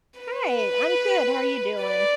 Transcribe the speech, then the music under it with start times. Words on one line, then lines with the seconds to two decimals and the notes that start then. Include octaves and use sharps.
Hi. I'm good. How are you doing?
0.20 B4
1.82 D5